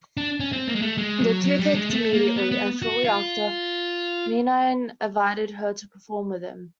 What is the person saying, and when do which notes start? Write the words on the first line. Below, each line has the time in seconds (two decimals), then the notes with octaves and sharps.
The two clicked immediately, and shortly after, Meine invited her to perform with him.
0.17 D4
0.40 C#4
0.52 C4
0.68 A#3
0.75 G#3
0.82 A3
0.98 G#3
1.20 F#3
1.44 F#3
1.59 G3
1.74 G#3
1.90 A3
2.13 A#3
2.36 B3
2.51 B3
2.82 F#4
3.04 F4